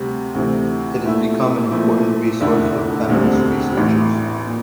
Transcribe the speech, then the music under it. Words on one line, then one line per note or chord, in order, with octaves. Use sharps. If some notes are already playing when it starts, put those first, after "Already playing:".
It has become an important resource for feminist researchers.
Already playing: D2 C3 G3
D2 C3 E3
A#2 A3 E4
A#2 F3 A3 E4
F1 E2 D3 A3 E4
E1 D2 D3 G3 C4
A1 A2 E3
A#2